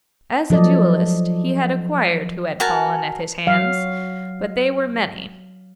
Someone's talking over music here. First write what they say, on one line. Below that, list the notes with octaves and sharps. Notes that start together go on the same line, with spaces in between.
As a duellist he had acquired who had fallen at his hands; but they were many.
F3 F#3 A4 D5 D#5
F#4 A#4 G#5 A5
F#3 F5